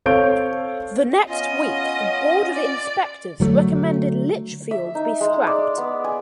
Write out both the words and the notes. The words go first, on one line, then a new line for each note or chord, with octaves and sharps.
The next week the Board of Inspectors recommended "Litchfield" be scrapped.
C4 A4 C#5 F5 G6 D7
B3 C#4 F4 D#5
D5
D3 F#3 A3
E5
D#4
G#3
D5
B3
G#5